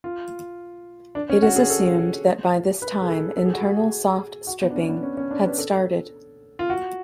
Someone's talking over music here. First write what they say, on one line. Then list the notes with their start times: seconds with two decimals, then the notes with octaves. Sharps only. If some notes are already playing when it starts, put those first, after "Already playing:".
It is assumed that by this time internal soft-stripping had started.
0.04 F4
1.15 D4
1.30 C#4
1.42 F#4
1.56 G#4
1.70 A4
2.82 B4
3.02 G#4
3.09 A4
3.37 A4
3.46 G#4
3.53 F#4
3.62 G#4
4.47 F#4
4.61 B3
4.71 D4
4.75 C#4
4.89 B3
5.03 C#4
5.17 C#4
5.31 D4
5.45 B4
5.58 A4
6.59 F4
6.70 F#4